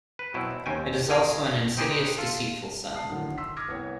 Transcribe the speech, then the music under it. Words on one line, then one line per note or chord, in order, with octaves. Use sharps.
It is also an insidious, deceitful sun.
B4
B2 F#3 C4 E4
D#2 C4 C#4 G5 G#5
G#4 A#4 F5 G5 G#5
C4 D#4 G4 G#4 B4 C5
F4 A4
A5 D#6 C7
A2 D3 D#3 F#3
C6 E6 B6
D6 D#6 F6 G#6 A#6
C2 B3 C#5 G5